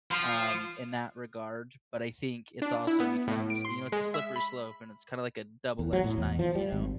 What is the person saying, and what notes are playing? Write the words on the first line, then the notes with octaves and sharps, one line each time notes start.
um, in that regard. But I think it's also becomes, you know, it's a slippery slope, and it's kinda like a double edged knife. You know?
F3
D4
E4
B3
A2
D7
C6
G#3
E5
B5
E2
F#3
A2
E2
F3
G3
G#1